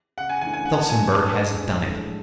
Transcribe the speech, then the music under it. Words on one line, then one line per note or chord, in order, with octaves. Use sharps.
Felsenburgh has done it.
C#3 F#5
G#5
E3 A3 D4 G#5
G#5
D3 F#5
A5
A3 D4 G#5
D3 A5
G#3 D4 A4
A2
G#3 D4 A4